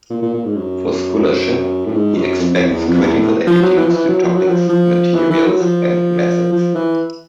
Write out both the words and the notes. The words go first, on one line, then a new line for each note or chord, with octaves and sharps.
For scholarship he expects critical attitudes to topics, materials and methods.
A#2
A#2
A#2
G#2
F#2
A2
G#2
F#2
F2
F2
E2
F2
E2
A2
F3
F#3
E3
F3
E3
F#3
F3
F#3
F3
F3
E3
E3
F#3
F3
F3
E3